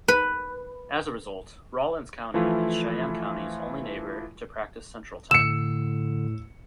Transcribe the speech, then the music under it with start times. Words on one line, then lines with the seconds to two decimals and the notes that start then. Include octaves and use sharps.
As a result, Rawlins County is Cheyenne County's only neighbor to practice Central Time.
0.08 B4
2.34 E3 F3 A3 E4 F4
5.31 A2 D3 E6 C#7 E7